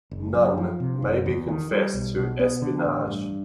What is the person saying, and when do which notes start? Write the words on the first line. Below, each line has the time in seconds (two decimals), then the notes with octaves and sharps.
Nunn May confessed to espionage.
0.11 F#1
0.35 F#2
0.57 F3
0.80 C3
1.02 F#1
1.26 E2
1.48 D#3
1.71 G3
1.94 B1
2.16 B2
2.39 B3
2.62 D3
2.85 A1
3.08 G2